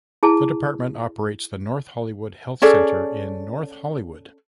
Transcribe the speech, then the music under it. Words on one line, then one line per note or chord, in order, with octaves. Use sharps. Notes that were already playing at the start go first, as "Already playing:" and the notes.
The department operates the North Hollywood Health Center in North Hollywood.
E4 G#4 A5
C#4 G#4 A4 D5